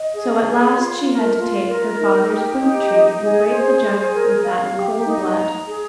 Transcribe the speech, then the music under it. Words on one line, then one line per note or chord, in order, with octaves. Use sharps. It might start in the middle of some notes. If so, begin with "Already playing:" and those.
So at last she had to take her father's boot-tree and break the jug with that in cold blood.
Already playing: D#5
G#4
C#5
F4
A#4
F4
A#4
D#4
G4
D#4
D#5
G#4
C5
G#4
A#4
F5
G4
D#4
A#5
G#4